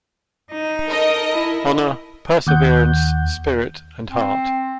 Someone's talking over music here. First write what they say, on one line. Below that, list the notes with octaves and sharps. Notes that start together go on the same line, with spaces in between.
Honor, Perseverance, Spirit and Heart.
D#4
A4 A#4 D#5
E4
D#2 F#5 G6
C4